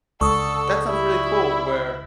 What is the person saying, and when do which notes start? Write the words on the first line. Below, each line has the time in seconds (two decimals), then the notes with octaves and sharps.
That sounds really cool, where
0.21 C#2 D3 A4 C#6 D#6
0.88 G3 E4